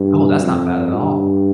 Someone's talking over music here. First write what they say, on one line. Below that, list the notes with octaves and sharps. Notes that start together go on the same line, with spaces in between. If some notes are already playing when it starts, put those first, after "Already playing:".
Oh, that's not bad at all.
Already playing: G2
F2
G2